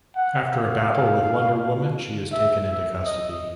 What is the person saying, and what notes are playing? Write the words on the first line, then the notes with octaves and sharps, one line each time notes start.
After a battle with Wonder Woman, she is taken into custody.
F#5
F5
E5
E5
D#5